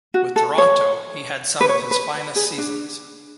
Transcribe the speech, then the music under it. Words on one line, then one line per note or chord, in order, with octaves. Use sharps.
With Toronto, he had some of his finest seasons.
F#4
A4
C#5
B4
C#5
B4
G#4
D4